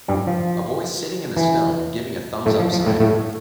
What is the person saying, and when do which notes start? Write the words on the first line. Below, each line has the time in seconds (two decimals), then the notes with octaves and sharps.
A boy sitting in the snow, giving a thumbsup sign.
0.08 G2 G3
0.27 F3
1.36 E3
2.46 A2 A3
2.59 F3
2.73 F3
2.86 A2 A3
3.00 A2 A3